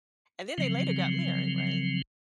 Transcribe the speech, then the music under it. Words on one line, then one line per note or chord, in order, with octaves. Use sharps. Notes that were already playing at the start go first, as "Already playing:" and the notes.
And then they later got married, right?
C#3 F3 F#3 C4